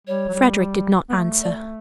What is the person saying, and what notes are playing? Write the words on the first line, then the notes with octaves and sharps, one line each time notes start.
Frederick did not answer.
G3 C#5
F#3
G3
B3
A3
D5